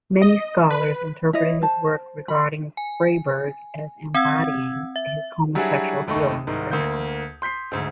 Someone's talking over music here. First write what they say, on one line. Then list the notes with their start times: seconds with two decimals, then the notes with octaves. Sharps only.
Many scholars interpreted his work regarding Freyburg as embodying his homosexual feelings for him.
0.22 D#5
0.71 B4
1.33 E4 C#5 D#5
1.62 C5 A5
2.28 B5
2.77 G#5
4.14 C4 F#5 E6 G#6
4.96 E5
5.55 F#3 G3 D4 E4 F#4 G#4
6.07 F#1 D#2 A3 D#4 C#6
6.47 C2 G#2 D#3
6.71 D2 A#3 G6
7.42 C6 G6 B6 C7
7.72 D2 G#2